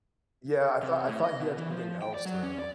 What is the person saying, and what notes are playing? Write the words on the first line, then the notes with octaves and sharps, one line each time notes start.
Yeah, I thought I thought he had something else though.
C3
A2
D#5
B2
E3
F3
G5
D5
F#3
C#4
D5